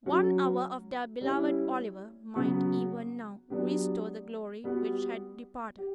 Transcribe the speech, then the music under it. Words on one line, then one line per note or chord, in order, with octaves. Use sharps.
One hour of their beloved Oliver might even now restore the glory which had departed.
F#3 C#4 F#4
G3 C#4 E4
C#3 F#3 B3 F#4
F#3 B3 D4 G4
G3 B3 F#4
G4